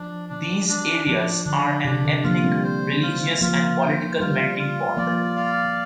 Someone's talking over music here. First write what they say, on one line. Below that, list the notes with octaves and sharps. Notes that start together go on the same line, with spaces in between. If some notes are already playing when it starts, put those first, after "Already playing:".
These areas are an ethnic, religious and political melting pot.
Already playing: F3 D4
D4
D4
F3 D4
D3 D4
C3 D4
D3
F3 A#3 F4
G3 C4
C5
F4
F3 A#3 F4
C5
G3 F4
F4
F3 A#3 D5
F5